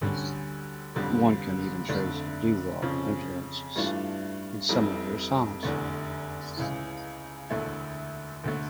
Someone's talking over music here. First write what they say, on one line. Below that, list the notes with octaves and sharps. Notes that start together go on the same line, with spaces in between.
One can even trace doo-wop influences in some of their songs.
D2 D3 G3 C#4
G1 F2 D3 G3
F1 F2 D3 A3 D4
F2 C#3 F3 C#4
G2 E3 A3 D4 F4
F1 F2 E3 G3
F1 E2 D3 A3
C#2 C#3 E3
E1 D2 D3 A3 E4
D2 D3 A3